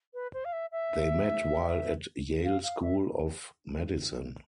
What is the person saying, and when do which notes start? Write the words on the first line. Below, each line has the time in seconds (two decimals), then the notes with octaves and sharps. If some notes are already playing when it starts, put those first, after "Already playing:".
They met while at Yale School of Medicine.
0.14 B4
0.33 C5
0.45 F5
0.52 E5
0.72 E5
2.44 F5
2.63 F5
2.82 E5